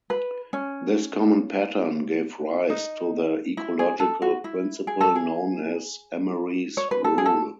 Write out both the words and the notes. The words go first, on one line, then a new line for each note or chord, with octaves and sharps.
This common pattern gave rise to the ecological principle known as "Emery's Rule".
B4
C#4
D#4
E4
G#4
A4
F#4
E4
G#4
A4
G#4
C#5
B4
A4
G#4
A4